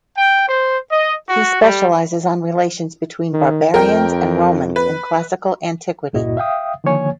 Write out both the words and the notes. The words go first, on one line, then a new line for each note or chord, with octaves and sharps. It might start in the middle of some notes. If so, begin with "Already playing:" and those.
He specializes on relations between "barbarians" and Romans in classical antiquity.
G5
C5
D#5
F#4
G3
D#3
F2 A#4 G5
B4
C#2 G2 A#2 E4 F#4 D#5
E5 F5 G5 D#6
D3 D#3 F3 A#3 C#5 G#5